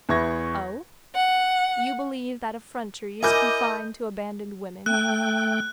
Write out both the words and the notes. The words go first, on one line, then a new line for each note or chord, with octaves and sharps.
Oh! you believe that effrontery is confined to abandoned women?
E2 B4 E5 C#6 G#6 A#6
F#5
E4 A#4 D#5 G#5 D6 G6
A3 G5 F#6